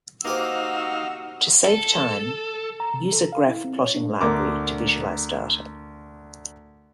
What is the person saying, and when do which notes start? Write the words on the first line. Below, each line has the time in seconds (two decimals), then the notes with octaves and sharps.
To save time, use a graph plotting library to visualize data.
0.25 A#3 D#4 F#4 G4 C5 F5 E6
1.65 A4
2.80 A#5
2.94 C3
3.12 A4
3.32 F5
3.49 E4
3.64 C4
3.80 C#5
3.95 D4
4.21 D2 A#4 D6